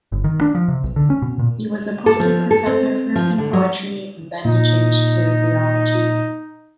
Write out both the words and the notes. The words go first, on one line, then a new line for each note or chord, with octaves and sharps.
He was appointed professor first in poetry, and then he changed to theology.
G1
D#3
D4
F3
C3
B1
D3
C#4
B2
A#2
A4
F3
A4
C4
F3
D3
F#3
A#2 D#4